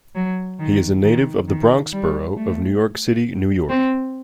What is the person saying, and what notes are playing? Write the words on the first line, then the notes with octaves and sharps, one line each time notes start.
He is a native of the Bronx borough of New York City, New York.
F#3
D#3
D#3
D#3
G3
A3
C4